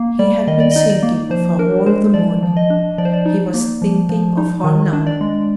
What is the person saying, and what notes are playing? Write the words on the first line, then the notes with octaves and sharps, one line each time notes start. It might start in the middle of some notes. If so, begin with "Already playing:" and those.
He had been thinking of her all the morning; he was thinking of her now.
Already playing: A#3
G3 D5
D#3 D#5
D5
D#4 D#5
D5
A#3
F3 C5
D4 A#4
G#3 C5
F3 D5
F3
D#5
D4
F3 D5
C5
D5
D#4
A#3
F3
F3
D#4
D#3
D4
D5
G#3